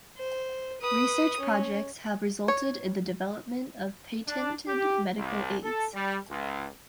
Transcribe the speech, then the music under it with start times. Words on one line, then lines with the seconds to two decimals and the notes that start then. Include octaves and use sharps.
Research projects have resulted in the development of patented medical aids.
0.17 C5
0.81 B4 D#6
1.40 C#4
2.48 C#5
4.28 D4
4.67 G4
5.17 C2
5.63 A4
5.95 G3
6.31 C#2